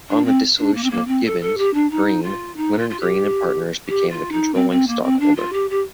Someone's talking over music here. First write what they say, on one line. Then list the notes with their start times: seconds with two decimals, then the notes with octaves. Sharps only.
On the dissolution of Gibbons, Green; Leonard Green and Partners became the controlling stockholder.
0.10 D4
0.25 C4
0.58 D4
0.74 A#3
0.84 C4
0.91 A#3
1.07 C4
1.25 A4
1.41 A4
1.58 G4
1.74 D4
1.91 D#4
2.23 F4
2.57 D#4
2.79 F4
2.90 F4
3.00 G4
3.88 G4
4.10 F4
4.32 D#4
4.54 C4
4.71 C4
4.88 A#3
5.04 C4
5.20 D4
5.36 F4
5.53 G4
5.70 G4